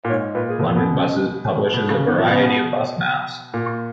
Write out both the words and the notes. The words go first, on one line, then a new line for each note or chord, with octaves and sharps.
London Buses publishes a variety of bus maps.
A#2
G#2 C#5
A#2 B4
G#4
B2 A#4
A#2
B2 B3
C#4
B2
B2
C#3
D#3 B3
F3
B2
C#3 B3
B2
A#2 A#3